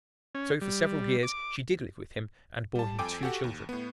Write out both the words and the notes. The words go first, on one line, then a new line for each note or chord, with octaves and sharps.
So for several years she did live with him and bore him two children.
C#4
G3
D6
G3 A5
F2 A4 G5 G#5 D6 D7
F#4 G4 A4 F#5
D#2
A2 B3